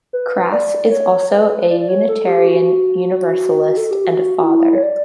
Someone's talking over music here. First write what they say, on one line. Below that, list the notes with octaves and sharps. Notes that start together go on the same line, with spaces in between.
Crass is also a Unitarian Universalist and a father.
B4
D5
C#5
B4
D5
D5
C#5
A4
G4
F#4
A4
G4
F#4
F#4
E4
C#5
D5